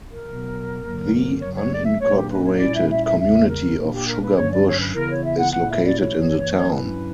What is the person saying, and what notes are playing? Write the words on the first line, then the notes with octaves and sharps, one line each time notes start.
The unincorporated community of Sugar Bush is located in the town.
A#4
B2 F#3 B3
G2 D3 F#3 A#3
F#2 C#3 F#3 C#5
C#5
D5
E5
A#2 F#3 A#3 D4 C#5
G4
B4
C#5
A#2 G3 C#4 E4 D5
E5
E5
E5
E2 C#3 G3 E5
A#4
A#2 A#3 D4
G4
A#4
B4
G2 D3 F#3 C#4 C#5
D5
C#5
B4
C#3 E3 B3 E4 A#4
C#5
E5
F#5
A#2 A#3 E4 F#5
E5
D5
C#5
F#2 E3 A#3
G2 F#3 C#4 E4 B4